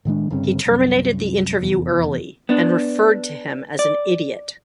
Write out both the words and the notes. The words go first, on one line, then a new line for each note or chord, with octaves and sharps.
He terminated the interview early and referred to him as an idiot.
A2 D#3 G#3 D4
G1 G2 C#3 C4
C2 F#2
F1 E2
B3 D4
D5